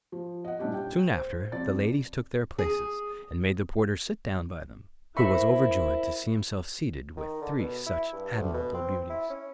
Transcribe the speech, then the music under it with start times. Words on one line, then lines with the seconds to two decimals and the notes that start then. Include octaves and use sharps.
Soon after, the ladies took their places, and made the porter sit down by them, who was overjoyed to see himself seated with three such admirable beauties.
0.12 F3
0.45 D#5 F#5
0.59 A#2 G3 C#4 D4 E4 G4
0.74 G5
1.11 C5
1.52 F1 F2 D5 A6
2.58 G#4
5.17 E4 A#4 C5 E5 B5 C#6
7.17 D#3
7.42 D3
7.59 B2
7.86 E4
8.13 G2
8.38 D2
8.54 B2
8.74 C4
9.10 E4
9.30 C#4